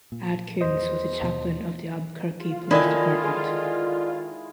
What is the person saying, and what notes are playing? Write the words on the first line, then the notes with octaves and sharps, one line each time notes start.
Adkins was the chaplain of the Albuquerque Police Department.
A#2
E2 C5 D#5
D#2 B2 F3
F4
D3 D#3 E4 D#5 G#5 A5
G#3